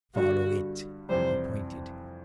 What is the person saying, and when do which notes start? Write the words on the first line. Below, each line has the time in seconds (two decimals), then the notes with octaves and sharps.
"Follow it." He pointed.
0.15 G2 D3 G3 F#4
1.09 F2 C3 E3 G3 C5